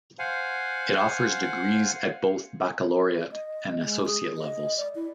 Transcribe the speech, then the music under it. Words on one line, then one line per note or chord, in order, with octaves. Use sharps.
It offers degrees at both baccalaureate and associate levels.
C5 F5 F#5 G#5
D#5
G#3
G#4
D#5
D5
E4